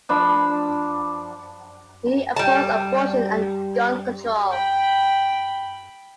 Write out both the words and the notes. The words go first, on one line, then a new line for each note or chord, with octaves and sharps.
He opposed abortion and gun control.
F3 D4 B5
G3 A5
G5 B5